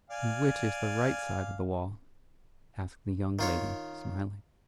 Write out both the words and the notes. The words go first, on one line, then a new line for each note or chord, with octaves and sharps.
"And which is the right side of the wall?" asked the young lady, smiling.
D5 F5 G#5
D#3 F4 C#5